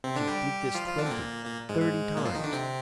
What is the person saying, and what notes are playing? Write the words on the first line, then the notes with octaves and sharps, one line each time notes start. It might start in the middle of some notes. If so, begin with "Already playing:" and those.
She did this, twenty, thirty times.
C3 C4
D3 D4
G3 G4
F3 F4
F3 F4
D3 D4
C4
A#2 A#3
A#2 A#3
G#2 G#3
G#2 G#3
A#2 A#3
F3 F4
D#3 D#4
D3 D4
C3 C4